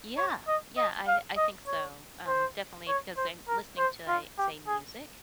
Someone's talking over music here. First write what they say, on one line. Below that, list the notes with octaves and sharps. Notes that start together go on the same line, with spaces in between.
Yeah, yeah I I think so, um, definitely because I'm listening to, li say, music,
C#5
D#5
D#5
F5
D#5
C#5
C5
C#5
C5
A#4
C5
F4
G4
G#4